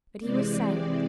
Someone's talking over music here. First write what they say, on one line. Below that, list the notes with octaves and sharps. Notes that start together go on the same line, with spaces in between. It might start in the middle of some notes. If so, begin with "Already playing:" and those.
But he was silent.
C3 E3 G#3 C4 D5